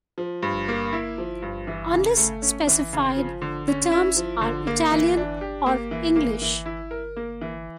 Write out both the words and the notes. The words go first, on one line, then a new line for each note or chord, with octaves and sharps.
Unless specified, the terms are Italian or English.
F3
G2
A#3
E4
F3
G2
E3
C#3
A3
C#4
E3
C#3
F3
D3
C#4
E4
F3
D3
A#3
E3
D4
G4
A#3
E3
A#3
E3
E4
A#4
A#3
E3